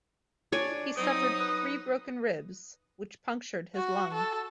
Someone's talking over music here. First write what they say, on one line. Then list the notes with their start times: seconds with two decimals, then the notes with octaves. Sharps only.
He suffered three broken ribs, which punctured his lung.
0.52 D4 C#5 D5 G#5
0.97 F#3 C4 D#4 D#6
1.40 B4
3.76 F#4
4.14 A4